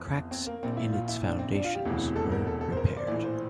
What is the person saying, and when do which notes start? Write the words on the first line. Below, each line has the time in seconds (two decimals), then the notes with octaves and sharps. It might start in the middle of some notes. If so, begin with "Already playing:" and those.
Cracks in its foundations were repaired.
Already playing: G1 F2 E3
0.31 C4
0.46 A#3
0.63 A#1 A#2 C4
0.77 E4
0.93 F4
1.09 E4
1.23 D4
1.39 C4
1.54 D4
1.64 F4
1.75 G4
1.85 E1 D2 C3 E3
2.16 A4
2.31 A#4
2.47 A4
2.61 A4
2.72 C5
2.77 A#4
2.87 C5
2.97 D5
3.07 A#1 A2 E3 D5
3.23 C5